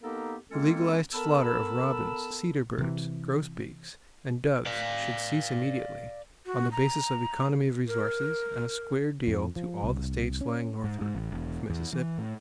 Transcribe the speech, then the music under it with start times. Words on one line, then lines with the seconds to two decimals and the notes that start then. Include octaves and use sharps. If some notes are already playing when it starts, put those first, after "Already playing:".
The legalized slaughter of robins, cedar birds, grosbeaks and doves should cease immediately, on the basis of economy of resources and a square deal to all the states lying northward of Mississippi.
0.02 A#3 B3 D#4 G4 A4 A#4
0.50 G#3 A#3 C4 C#4 F4 A4
1.13 B3 A4 A#4 A5 B5 E6
2.78 C3 E3
4.67 D5 F5
6.46 F#4
6.72 A#5
7.87 A#4
9.27 F2
9.56 F3
9.83 C2
10.41 C#4
10.84 G#2
11.01 G#2
11.15 A1
11.32 E1
11.70 E2
11.93 E3
12.18 A2